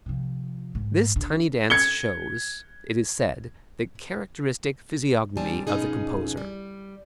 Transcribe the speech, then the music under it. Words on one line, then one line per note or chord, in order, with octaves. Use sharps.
This tiny dance shows, it is said, the "characteristic physiognomy" of the composer.
C3 F3
G#2
D3
G#6 C#7 G7
D#2 G3 C4 D4 G#5 A5
B2 F3 C#4 D#4 G#4
G3